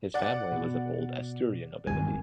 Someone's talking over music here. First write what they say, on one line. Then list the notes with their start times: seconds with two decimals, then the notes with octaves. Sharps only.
His family was of old Asturian nobility.
0.14 D5 F#5
0.52 B2
1.87 G2 D#3 G#3 G#5